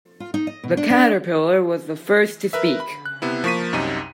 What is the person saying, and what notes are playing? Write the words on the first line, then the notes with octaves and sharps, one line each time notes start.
The Caterpillar was the first to speak.
F4
D#4
D#5
B2
D4
D4
A#4 B4 E5
B5
F#6
C3 B3 E4
F3 A#3 C#6 B6 D#7
C2 F#2 C3 D#4 D#7